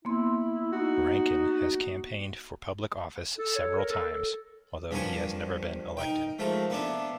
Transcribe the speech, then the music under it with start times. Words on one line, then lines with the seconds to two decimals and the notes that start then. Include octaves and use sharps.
Rankin has campaigned for public office several times, although he has never been elected.
0.05 A#3 B3 E4 C6
0.73 D#4 F#4
3.38 A4
3.55 C#5
3.78 A#4
3.90 A4
4.91 G2 F3 F#3 A#4 G#5 C#6
5.97 D#4 A#4 G5
6.39 G#2 F3 A3 A#4
6.70 A#3 B3 D4 E4